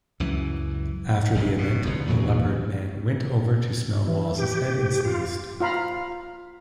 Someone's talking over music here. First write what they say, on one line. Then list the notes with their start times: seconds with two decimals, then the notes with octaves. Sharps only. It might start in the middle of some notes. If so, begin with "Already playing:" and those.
After the event, the Leopard Man went over to smell Wallace's head and sneezed.
0.20 C#2 F#2 E3
1.35 F#1 B1 C3
1.58 B2
1.85 G1 E2
2.07 E2 A#2 C#3 F#3
4.07 E3
4.38 G4
5.05 F4
5.60 F4 F5 A#5 B5